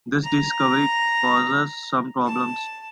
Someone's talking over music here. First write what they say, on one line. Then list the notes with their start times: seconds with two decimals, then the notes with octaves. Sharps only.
This discovery causes some problems.
0.23 A#5
2.26 A5